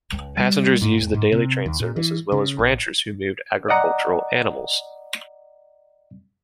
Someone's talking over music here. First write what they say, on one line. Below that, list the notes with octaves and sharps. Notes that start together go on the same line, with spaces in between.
Passengers used the daily train service, as well as ranchers who moved agricultural animals.
C#2
G3
G#2
E1
G#2
C3
D#2
A#2
E3
C#3
A#1
D5 D#5 F#5 A#5